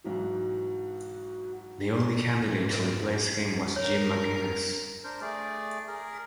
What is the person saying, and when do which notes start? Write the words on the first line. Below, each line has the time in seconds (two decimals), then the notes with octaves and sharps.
The only candidate to replace him was Jim McGuinness.
0.04 B1 G#2 E3 F#4
2.41 G#2 F3
3.76 A#4 C#5
5.04 D4 A#4 C5
5.21 A3 G#4 D5
5.88 G#4 A#4